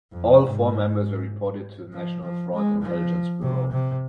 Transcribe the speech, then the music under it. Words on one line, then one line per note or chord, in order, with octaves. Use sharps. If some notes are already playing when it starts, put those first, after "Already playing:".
All four members were reported to the National Fraud Intelligence Bureau.
F2
G#2
F3
F3
G#3
F3
C3
C3